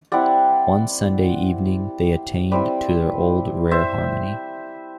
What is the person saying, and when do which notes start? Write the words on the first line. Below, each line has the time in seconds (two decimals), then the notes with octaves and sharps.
One Sunday evening they attained to their old rare harmony.
0.12 G3 C4 E4 D5 F#5
2.51 G3 C4 E4 B4 D5
3.71 C5 E5